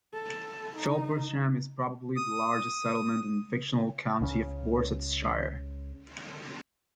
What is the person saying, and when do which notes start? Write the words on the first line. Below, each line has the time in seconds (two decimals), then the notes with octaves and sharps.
Felpersham is probably the largest settlement in the fictional county of Borsetshire.
0.14 A4
0.76 D#4
2.17 D#6
4.21 C#2 C#3 A3 C#4